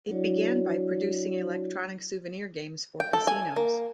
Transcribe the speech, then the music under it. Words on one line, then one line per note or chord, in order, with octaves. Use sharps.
It began by producing electronic souvenir games for casinos.
F#3 D4 E4 F#4 C#5 D5
G5
A4
G#5
A#3